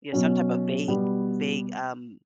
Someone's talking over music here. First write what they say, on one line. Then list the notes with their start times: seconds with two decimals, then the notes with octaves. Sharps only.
Yeah, some type of vague vague, um
0.12 B2 F#3 C#4
0.88 B2 G3 B3